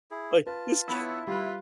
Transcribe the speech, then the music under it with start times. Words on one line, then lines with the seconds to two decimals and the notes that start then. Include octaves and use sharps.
Like, this kid
0.11 E4 G#4
0.47 F4 B4 A5
0.88 B3 E4 C#5
1.27 G3 F4 G4 B4